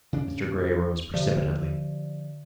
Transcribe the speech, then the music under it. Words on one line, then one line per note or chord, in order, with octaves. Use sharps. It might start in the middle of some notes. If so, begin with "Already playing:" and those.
Mr. Grey rose precipitately.
C#3 D4
D3 F3 D5